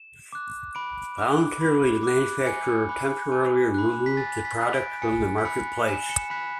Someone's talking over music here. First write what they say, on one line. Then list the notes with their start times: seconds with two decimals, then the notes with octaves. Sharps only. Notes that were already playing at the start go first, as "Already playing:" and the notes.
Voluntarily, the manufacturer temporarily removed the product from the marketplace.
Already playing: E7
0.33 D6 F#6
0.75 B5 D7
1.18 D6 F#6
1.61 B5
2.03 D6 F#6
2.46 G#5 C#7
2.89 B5 F#6
3.32 G#5
3.74 B5 F#6
4.06 B6
4.17 G#5 A6
4.45 B6
4.60 B5 F#6
4.74 D7
5.02 G#5 C#7
5.38 B6
5.45 B5 F#6 C#7
5.88 G#5 E7
6.09 C#7
6.30 B5 F#6 B6